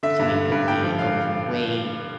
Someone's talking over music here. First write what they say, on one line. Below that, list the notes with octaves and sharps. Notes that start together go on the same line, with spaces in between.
Somebody could be overweight.
D3 E5
G2
D3
G2
G2 G5
F3
F5